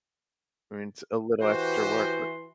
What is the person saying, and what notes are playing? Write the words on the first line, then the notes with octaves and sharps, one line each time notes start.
I mean, it's a little extra work, but
E3 F#4 G4 B4 C5 C6